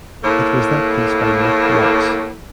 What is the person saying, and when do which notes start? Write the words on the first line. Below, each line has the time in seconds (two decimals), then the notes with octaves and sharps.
It was that piece by Mick Watts.
0.24 A2 A#3